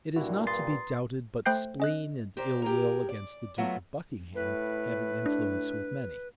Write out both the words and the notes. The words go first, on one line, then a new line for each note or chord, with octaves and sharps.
It is not to be doubted, but spleen and ill will against the duke of Buckingham had an influence with many.
G2 A#2 D4 E4 F#4
B4 A#5 C6 D#6 A6 C7
A3 C5 G5 F#6 G6 C7
C#4 D#5 F#6
G4 A#4 C5 D5
G4 G#4 A#4
D5
F#3 A3 B3 F4
A2 B4
D4